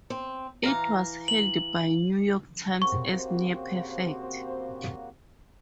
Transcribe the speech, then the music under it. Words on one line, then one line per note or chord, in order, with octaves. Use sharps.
It was hailed by "The New York Times" as "near perfect".
C4
E3 F5 A#5
F#7
C#3 A#3 C4 F#4 G4 C5 C#6